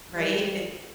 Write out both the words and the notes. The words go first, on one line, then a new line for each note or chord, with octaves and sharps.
Right, it
G3